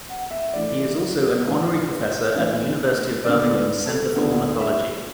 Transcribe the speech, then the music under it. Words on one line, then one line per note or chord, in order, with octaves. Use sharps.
He is also an honorary Professor at the University of Birmingham's Centre for Ornithology.
F#5
E5
A2 E3 A3 D4 D5
A2 E3 A3 D4 B4
B4
A2 E3 A3 D4 B4
D2 D3 B3 D4 D5
B4
A4
D2 D3 B3 D4
E5